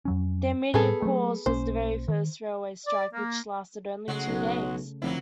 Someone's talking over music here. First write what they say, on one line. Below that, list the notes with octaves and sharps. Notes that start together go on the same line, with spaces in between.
Their immediate cause was the very first Railway Strike which lasted only two days.
F2 F#3 C#4
A2 G3 B3 G#4 A4
F#3 A3
B1 A#3 C#4 C5
D#3
D5
A#3
C#3 F#3 G#3 A3 F#4
B1
F1 D3 F3 F#3 A#3 C4 E4